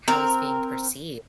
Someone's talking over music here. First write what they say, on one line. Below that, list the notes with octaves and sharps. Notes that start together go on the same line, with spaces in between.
How he's being perceived?
C4 A#4